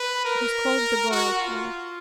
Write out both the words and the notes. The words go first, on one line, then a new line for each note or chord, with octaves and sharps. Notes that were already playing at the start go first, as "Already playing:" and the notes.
It was called the royal chair.
Already playing: B4
A#4
F#4
F4